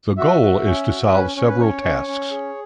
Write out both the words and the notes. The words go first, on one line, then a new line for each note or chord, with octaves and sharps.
The goal is to solve several tasks.
F#4 E5
F#4
C#4
F#4
C#4 B4
C#4 C#5
B4
C#4 C#5
C#4
C#4
G#4